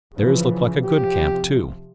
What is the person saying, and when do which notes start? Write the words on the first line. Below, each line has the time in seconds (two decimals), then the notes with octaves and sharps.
Theirs looked like a good camp, too.
0.15 C#3 E3 F3
0.84 C3 F3 G4